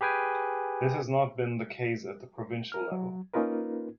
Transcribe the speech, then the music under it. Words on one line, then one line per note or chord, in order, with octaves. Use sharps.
This has not been the case at the provincial level.
G4 G#4 B4 G5 G#5
A#4 F6
F#3
A#3 C#4 D#4 F4 A#4 B4